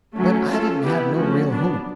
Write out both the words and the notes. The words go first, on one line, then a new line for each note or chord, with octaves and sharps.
But I didn't have no real hope.
F#3 A3 C#4
C#4 F4 A4
B3 E4 G4 B4
F3 A3 C#4 F#4
F#3 B3 D4